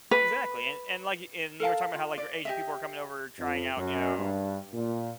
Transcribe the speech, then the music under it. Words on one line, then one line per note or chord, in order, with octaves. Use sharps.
Exactly, and and, like and you were talking about how, like, your Asian people are coming over trying out, you know
B4
A4 A#4 F5 A5
F4
D5
G4 D#5 E5
F2
F#2
G2
A#2